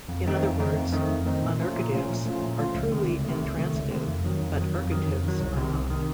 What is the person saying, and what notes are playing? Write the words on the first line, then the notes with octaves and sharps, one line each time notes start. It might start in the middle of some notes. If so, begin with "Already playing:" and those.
In other words, unergatives are truly intransitive, but ergatives are not.
F2
D#3 A3 C4 D#4
F2
D#3 A3 C4 D#4
F2
D#3 A3 C4 D#4
F2
D#3 A3 C4 D#4
A#2
F3 A3 C#4 F4
A#2
F3 A3 C#4 F4
A#2
F3 A3 C#4 F4
A#2
F3 A3 C#4 F4
C#2
C3 D#3 A3
C#2
C3 D#3 A3
C#2
C3 D#3 A3
C#2
C3 D#3 A3
F2
D#3 F#3
F2
D#3 F#3
F2
D#3 F#3
F2
D#3 F#3
C2
C3 D#3
C2
C3 D#3